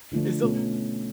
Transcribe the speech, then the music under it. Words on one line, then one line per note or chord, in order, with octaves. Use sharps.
It's a l
D3 F3 A3 D4
B2 A3 C#4 F4